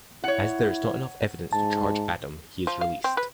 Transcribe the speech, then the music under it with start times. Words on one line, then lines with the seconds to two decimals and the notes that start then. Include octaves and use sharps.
As there is not enough evidence to charge Adam, he is released.
0.24 E4 C#5 F#5
1.53 G#2 A5
2.67 F3
2.81 F5
3.04 C4
3.17 B4